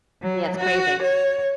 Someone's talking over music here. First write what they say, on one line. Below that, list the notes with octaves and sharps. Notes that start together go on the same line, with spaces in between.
Yeah, it's crazy.
F#3
F#4
C#5